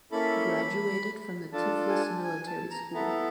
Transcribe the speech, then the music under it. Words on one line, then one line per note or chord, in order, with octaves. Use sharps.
Graduated from the Tiflis Military School.
A#3 C#4 E4 A4 B5
D4 F4 A4 A5
G#5
G#5
A5
A#5
B3 E4 A4 A#5